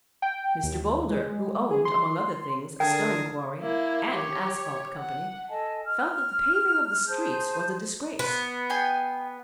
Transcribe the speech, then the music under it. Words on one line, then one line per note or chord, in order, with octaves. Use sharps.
Mr. Boulder, who owned, among other things, a stone quarry and an asphalt company, felt that the paving of the streets was a disgrace.
G5
D#2
G#3
G#4
C6
D3 G#4 A#4 G5 A5
A#3 E4
G4 C#5
F#5
A4 D#5 G#5 A5
F6
G#4 C5 A5 G6
B3
G#4 G5 G#5